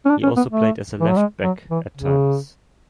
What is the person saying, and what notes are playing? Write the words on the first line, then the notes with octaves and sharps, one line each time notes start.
He also played as a left-back at times.
C#4
D4
C#4
B3
A3
E3
F#3
G#3
F#3
E3
C#3